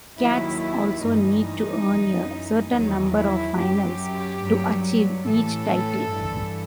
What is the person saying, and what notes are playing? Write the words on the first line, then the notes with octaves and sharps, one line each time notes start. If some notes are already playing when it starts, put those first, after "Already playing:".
Cats also need to earn a certain number of finals to achieve each title.
D#2 D#3 F#3 E4
G2 E3 D#4
F#2 E3
E2 D#3 F#3 D#4
E4
F#2 F#3 G4
G2 F#3
A2 E3 A4
G2 E3